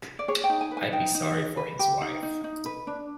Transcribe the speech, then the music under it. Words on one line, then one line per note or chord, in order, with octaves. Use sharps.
I'd be sorry for his wife.
D5
G#4 C#5
G5
D#4
G#5
B4
G#5
D#4 G5
D#4
G#4
B4
G4
D#4
D#4
D#4
B4
D4